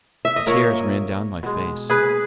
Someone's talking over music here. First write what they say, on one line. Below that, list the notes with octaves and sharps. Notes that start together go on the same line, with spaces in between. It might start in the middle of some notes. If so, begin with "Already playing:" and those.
The tears ran down my face.
E5
D#5
A#2 A#3 A#4 C#5
B2 G#3
G#4 B4